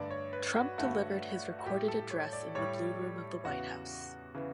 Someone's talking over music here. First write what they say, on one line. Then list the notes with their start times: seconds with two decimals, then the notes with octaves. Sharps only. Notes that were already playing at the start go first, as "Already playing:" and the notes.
Trump delivered his recorded address in the Blue Room of the White House.
Already playing: G2 D3 A3 D5
0.10 C#5
0.33 B4
0.56 F#4
0.78 G2 D3 A3 F#4
1.59 F#4
1.66 A2 G3 G4
1.88 A4
2.11 C#5
2.33 D5
2.55 A2 G3 C#5
3.45 E2 C#3 E3 F#4
4.34 C#3 E3